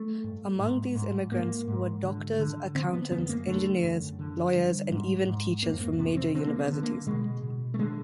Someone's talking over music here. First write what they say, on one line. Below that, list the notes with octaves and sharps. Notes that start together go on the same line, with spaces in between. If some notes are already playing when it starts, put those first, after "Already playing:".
Among these immigrants were doctors, accountants, engineers, lawyers and even teachers from major universities.
Already playing: A3
G2
G#2
G#2
G#2 A#3
G#2
D3
D3
D3 C4
B3
F#2 B3
A#3
D3 A3
F#2
D3
G2
G#2
G#2
F2 A#3
A#3
C3 B3
C4
D3 C4
A#3
B3
D3
A#3
B2 G#3
B2
A3
D3 G#3